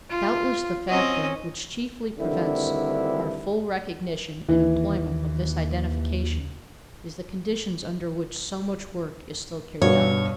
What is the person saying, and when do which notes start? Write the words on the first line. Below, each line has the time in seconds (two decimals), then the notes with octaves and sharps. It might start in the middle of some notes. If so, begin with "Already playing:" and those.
Doubtless the factor which chiefly prevents our full recognition and employment of this identification is the conditions under which so much work is still carried on.
0.10 F4
0.89 C4 C#4 D#5
2.19 D2 G2 D3 D#3 C4 E4
4.48 D#2 E3
9.82 G2 B2 B3 C#5